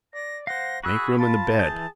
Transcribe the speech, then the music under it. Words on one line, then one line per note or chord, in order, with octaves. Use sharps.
Make room in the bed.
D5 A#6
C5 F5 F#5 A#6
F#4 G#4 B5 E6 F#6
F4 A5 B5
E3 G#4 G6